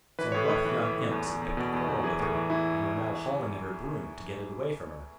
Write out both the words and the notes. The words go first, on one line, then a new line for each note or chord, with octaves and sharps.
Some rough young imps had picked a quarrel with her, and were now hauling at her broom to get it away from her.
E3 B4
A2 C#5
A2 B4
E3
E3
A2
E2
E2
E2
B2
E2
E2
E3 G#4
A2
E3
E3 E4